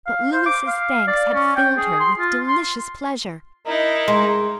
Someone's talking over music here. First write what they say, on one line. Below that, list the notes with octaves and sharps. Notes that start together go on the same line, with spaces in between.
But Louis's thanks had filled her with delicious pleasure.
F5
C5
D6
F5
D5
C#4
G5
G#4
C6
F4
C6
D#4 E4 A#4
G#3 C6